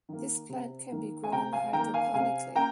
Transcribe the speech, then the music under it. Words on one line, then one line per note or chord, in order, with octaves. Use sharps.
This plant can be grown hydroponically.
D#3 A#3
C3
D#3 A#3
G#5
C3 G5 A#5
F5 G#5
D#3 A#3 G5 A#5
F5 G#5
C3 F5 G#5
A#3 G5 A#5